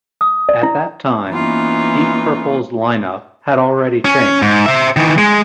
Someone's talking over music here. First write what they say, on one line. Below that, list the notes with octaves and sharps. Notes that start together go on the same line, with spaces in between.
At that time Deep Purple's line-up had already changed.
D#6
D5
E4
E3 A#3 B3 C#4 D#4 F4
C#4
G#2
C5 E5
D#3 E3
G#3